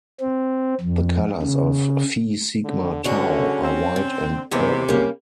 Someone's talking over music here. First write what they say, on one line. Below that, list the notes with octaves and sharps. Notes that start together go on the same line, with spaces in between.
The colors of Phi Sigma Tau are white and purple.
C4
F2
C#3
D3
D3 F#3 G#3 C#4 F#4
C4
D3
D#2 C3 E3 G#3 B3
G3 A#3 C#4